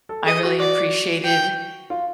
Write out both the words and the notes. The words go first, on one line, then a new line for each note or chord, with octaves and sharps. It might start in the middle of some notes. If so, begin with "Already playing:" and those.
I really appreciated,
A4
G#4 D#5
F#4
F#4 D5
G5
F4